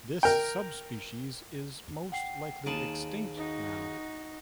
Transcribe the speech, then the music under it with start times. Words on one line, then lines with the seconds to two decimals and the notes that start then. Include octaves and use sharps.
This subspecies is most likely extinct now.
0.23 A#4 G5
2.12 F#5 G5 C7
2.66 D#2 G#4 A5 D7 D#7 F#7
3.37 D#4 F#4